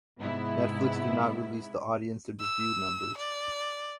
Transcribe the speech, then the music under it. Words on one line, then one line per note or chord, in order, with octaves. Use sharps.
Netflix do not release the audience and review numbers.
G#2 C3 B3 E4
E6
D5